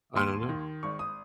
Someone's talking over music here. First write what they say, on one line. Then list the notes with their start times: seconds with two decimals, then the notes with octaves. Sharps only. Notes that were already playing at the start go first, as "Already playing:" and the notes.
I don't know.
0.15 D#2 C6
0.49 D#3
0.83 G#1 C#6
0.99 D#6